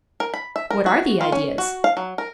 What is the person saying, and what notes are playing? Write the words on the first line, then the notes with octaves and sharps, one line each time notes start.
What are the ideas?'
A#4
B5
E5
A#4
F#4
F4
C#4
F#4
F5
F#3
A#4